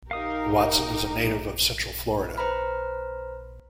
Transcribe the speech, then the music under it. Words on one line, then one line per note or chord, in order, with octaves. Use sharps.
Watson is a native of Central Florida.
D#4 G4 A#4 F5 D#6
B4 C5 A#5 B5 F6